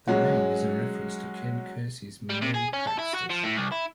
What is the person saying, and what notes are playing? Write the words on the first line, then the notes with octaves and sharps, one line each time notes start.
The name is a reference to Ken Kesey's Merry Pranksters.
F#3 G#3 C#4 F#4
G3
C3
G#4
C#4
A4
E4
F#4
F3
A2
C2
E4